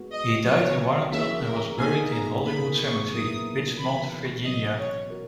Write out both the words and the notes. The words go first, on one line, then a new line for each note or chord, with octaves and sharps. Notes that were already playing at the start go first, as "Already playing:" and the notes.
He died in Warrenton and was buried in Hollywood Cemetery, Richmond, Virginia.
Already playing: G#3 B3 F#4
D#5
F#3 B3 F#4 A#4 C#5
E3 A#3 C#4 E4 G#4 E5
A#4
B2 A#3 D#4 G#4 G#5
A#5
B2 A#3 C#4 G#4 B5
C#6
A#2 F#3 B3 E4 A#4 D#6
E3 B3 F#4 B5
B2 F#3 C#4 D#5
C#5
F#4 A#4